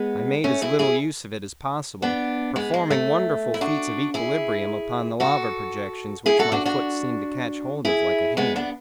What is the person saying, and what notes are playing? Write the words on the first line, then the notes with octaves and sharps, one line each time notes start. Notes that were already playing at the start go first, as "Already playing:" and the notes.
I made as little use of it as possible, performing wonderful feats of equilibrium upon the lava projections which my foot seemed to catch hold of like a hand.
Already playing: G#3 B3
A3 C#4
E4 G#4
E4 G#4
B3 D4
G#3 B3
G#3
A3
E4
D4 F#4
E4 G#4
F#4 A4
E4 G#4
F#4 A4
D4 F#4
D4 F#4
E4 G#4
G#3 B3
B3 D4